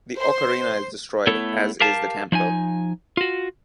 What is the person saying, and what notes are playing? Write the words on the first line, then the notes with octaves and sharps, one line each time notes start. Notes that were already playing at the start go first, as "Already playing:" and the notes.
The ocarina is destroyed, as is the Campbell.
C5 C6
A3 B3 E4 A4 C#5
G4 A#4 F5 A5
F3 D4 D#4 G#5
F4 F#4